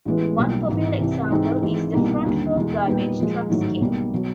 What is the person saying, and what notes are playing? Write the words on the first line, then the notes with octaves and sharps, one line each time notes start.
One popular example is the front fork garbage truck scale.
A1 A2 E3 G#3 B3
B1 B2 G3 A#3
G#1 G#2 E3
C2 C3 E3
G#2 E3 G#3 C4 D#4
G#1 G#2 E3 G#3
C2 B2 G3 A#3 D#4
D#2 D3 G3
E2 B2 G#3
A#2 G3 B3 D#4
A#2 F3 G#3
A1 G#2 D#3 F#3 A3
B1 B2 G3 A#3
B2 F#3